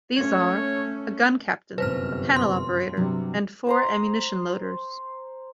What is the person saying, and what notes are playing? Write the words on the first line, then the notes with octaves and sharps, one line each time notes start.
These are a gun captain, a panel operator, and four ammunition loaders.
A3 C#4 C#5
G1 F#2 C3 B4 C5 F6
C6
G2 C3 F#3 G3
C5 A#5 C6